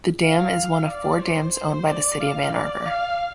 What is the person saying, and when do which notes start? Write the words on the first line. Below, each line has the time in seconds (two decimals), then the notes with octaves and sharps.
The dam is one of four dams owned by the city of Ann Arbor.
0.25 F5
0.89 D5
1.22 C5
1.55 C5
1.88 D5
2.20 F5
2.52 D5
2.86 F5